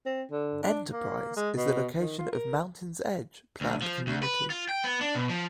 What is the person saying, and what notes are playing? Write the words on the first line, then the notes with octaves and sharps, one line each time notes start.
Enterprise is the location of the Mountain's Edge planned community.
C4
D3
D4
A#3
G#3
B2
D#3
F4
A#4
D2
F3
D2
B4
F4
G5
B3
D4
B2
F3